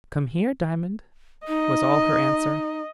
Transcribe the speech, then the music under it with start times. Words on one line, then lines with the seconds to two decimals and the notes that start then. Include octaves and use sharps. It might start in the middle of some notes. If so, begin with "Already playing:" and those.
"Come here, Diamond," was all her answer.
1.48 D#4 D#5